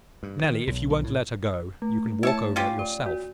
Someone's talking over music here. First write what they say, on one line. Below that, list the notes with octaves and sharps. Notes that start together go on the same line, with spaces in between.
Nelly, if you won't let her go, you can walk over yourself.
G2
D#3
B1
B1
A2
A3
E4 C#5 A5
C#4 F4 G4
D5
F#4